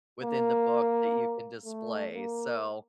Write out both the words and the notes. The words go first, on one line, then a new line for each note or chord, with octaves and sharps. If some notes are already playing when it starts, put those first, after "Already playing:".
within the book that you can display, so
A#3
A3
A#3